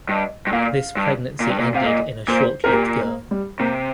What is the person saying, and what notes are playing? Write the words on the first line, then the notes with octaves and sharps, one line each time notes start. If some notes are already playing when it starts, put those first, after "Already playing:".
This pregnancy ended in a short-lived girl.
G2 D#5
G2
A#2 F5
G2
A#2
G2
A#2
C3 F5
A#2 D#5
A#2 C5
C3 A#4
A#2 G4
A#3
G3
C3 A#3